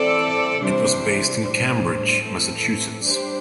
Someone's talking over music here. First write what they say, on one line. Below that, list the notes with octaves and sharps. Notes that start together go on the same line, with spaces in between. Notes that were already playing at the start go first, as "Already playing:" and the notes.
It was based in Cambridge, Massachusetts.
Already playing: E3 C4 A4 D5
C3 E3 G3 D4 C5
A2 G3 D4 C5
A2 E3 C4 A4
G3 D4 G4 C5